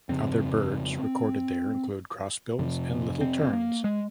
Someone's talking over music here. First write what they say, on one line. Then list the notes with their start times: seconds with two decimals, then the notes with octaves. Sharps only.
Other birds recorded there include crossbills and little terns.
0.09 F2 C#3 C4
2.59 F2 C3
3.21 C4
3.42 C4
3.53 A#3
3.84 G#3